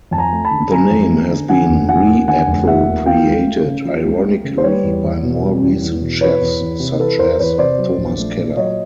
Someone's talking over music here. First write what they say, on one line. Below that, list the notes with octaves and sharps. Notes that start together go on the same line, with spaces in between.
The name has been reappropriated ironically by more recent chefs such as Thomas Keller.
F2 A5
G#5 A#5
A3
A5 B5
D3
F#3 G#5 A#5
F2
A3
D3
D3 F#5 G#5
F1
F3 F#5 G#5
D#2
D3 F#5 G#5
F1
F3 E5 F#5
D#2
F3 F5 G5
C#2
A3
C#3
F3
C#2
A3
C#3
C5
G3 B4 C#5
E2
E2
B2
G3
E2
E2
B2
E3 B4 C#5
E2
E2
C3
E3 A4 B4
E2 A#4 C5
E2 B4 C#5
C3 C5 D5
F#3
A#1
A3
A#2
F#3 C#5 D#5